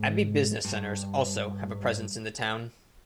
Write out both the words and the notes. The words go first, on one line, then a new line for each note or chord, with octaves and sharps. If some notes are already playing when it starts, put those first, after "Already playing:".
Abbey Business Centres also have a presence in the town.
Already playing: G#2
G2